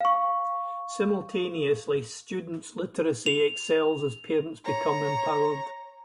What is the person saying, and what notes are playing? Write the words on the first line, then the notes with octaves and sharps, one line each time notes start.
Simultaneously students' literacy excels as parents become empowered.
F5 C#6
F7
C#5 A#5